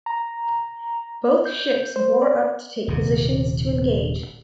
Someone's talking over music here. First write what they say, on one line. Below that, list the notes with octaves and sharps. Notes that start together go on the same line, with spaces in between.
Both ships bore up to take positions to engage.
A#5
G6
C5
D5
D#1 C3